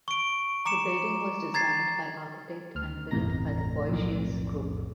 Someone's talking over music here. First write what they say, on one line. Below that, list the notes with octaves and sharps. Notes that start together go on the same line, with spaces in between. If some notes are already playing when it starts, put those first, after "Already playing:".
The building was designed by architect and built by the Bouygues group.
C#6 D7
A#5 D6 C#7 E7
A#5 G#6 A6 C7
D2 F6
G1 E2 A2 C3 A#5 A#6
B1 F2 A2